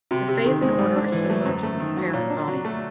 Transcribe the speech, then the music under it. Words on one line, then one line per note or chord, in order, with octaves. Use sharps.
The faith and order is similar to the parent body.
C3 F#4
C3 G4
D#3 A4
G#3 C5
G#2
D4
E3
A3
F#2
A3
D#3
F#3
A#2 C#5
D4
F#3
A3